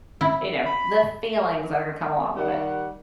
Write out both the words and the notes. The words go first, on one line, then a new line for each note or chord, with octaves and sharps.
you know, the feelings that are gonna come along with it.
E4
B5
D#3 G3 F#5